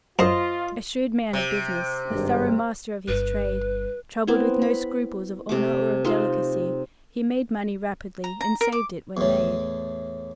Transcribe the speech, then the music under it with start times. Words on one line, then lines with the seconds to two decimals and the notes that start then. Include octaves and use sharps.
A shrewd man of business, a thorough master of his trade, troubled with no scruples of honour or of delicacy, he made money rapidly, and saved it when made.
0.19 F#2 F4 C5 D#5
1.33 C3
2.11 G#1 G2
3.08 G1 G3 B4
4.27 B3 C4 E4
4.62 B5
5.49 C3 A3 D6
6.05 C4 D#4 F4 C5
8.24 A#5
8.41 A#5
8.61 A#4
8.72 D6
9.17 E2 A2